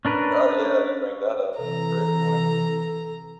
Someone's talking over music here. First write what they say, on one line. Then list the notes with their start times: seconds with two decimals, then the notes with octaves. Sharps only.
Oh, yeah, you bring that up. Great point.
0.05 C#4 D4 A#4 B4
1.57 C3 E3 A4 A#5